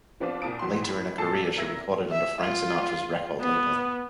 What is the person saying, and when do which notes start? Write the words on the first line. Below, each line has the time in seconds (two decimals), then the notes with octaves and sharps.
Later in her career she recorded under Frank Sinatra's record label.
0.20 F3 B3 C4 D4 F4
0.42 C2 A#2 A5 D#6 D7
0.59 E2 F#3 G5 C6
0.82 A2 B5
1.18 A#2 A4 A5 C7
1.56 F1 A#4 E5 E6 G#6 A#6
2.12 E5
2.41 F4
3.41 B3